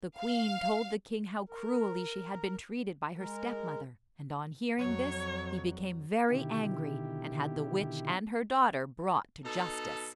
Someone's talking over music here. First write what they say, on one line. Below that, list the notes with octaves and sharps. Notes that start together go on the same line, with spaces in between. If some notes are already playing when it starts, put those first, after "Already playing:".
The queen told the king how cruelly she had been treated by her stepmother, and on hearing this he became very angry, and had the witch and her daughter brought to justice.
F5
A#4
G#3 A#4
F2 F#3 C#5
B2 D3 D#3 E4 G4
B2 D#4 A4